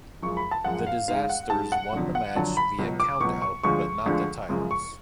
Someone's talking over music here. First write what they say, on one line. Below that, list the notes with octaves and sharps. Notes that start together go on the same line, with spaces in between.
The Disasters won the match via count out but not the titles.
F#2 F3 G#3 C#6
B5
A5
F#2 F3 G#3 F#5
F5
G#2 G#3 F5
F#5
G#2 G#3 A5
F#5
F2 D3 F#3
F#5
F2 D3 F#3 A5
B5
C#2 B2 F#3
D6
C#2 B2 F#3 C#6
C#6
D2 D3 F3 G#3 C#6
D2 D3 F3 G#3
F#2 C#3 F3 G#3
C#6